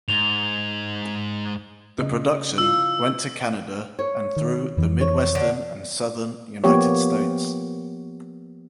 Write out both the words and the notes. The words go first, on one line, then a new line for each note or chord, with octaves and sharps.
The production went to Canada and through the midwestern and southern United States.
G#2 F7 G7
C#3 D#5
E4 F4 E6
C#5
D#3
F2 E3
C#5
D3
F3 A#3 B3 G4 C#5